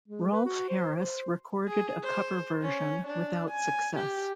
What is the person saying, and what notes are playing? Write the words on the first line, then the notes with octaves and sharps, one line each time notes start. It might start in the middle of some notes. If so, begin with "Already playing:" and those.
Rolf Harris recorded a cover version without success.
G#3
B4
F#4
C5
C5
G#4
C5
C#4
D4
G#5
G4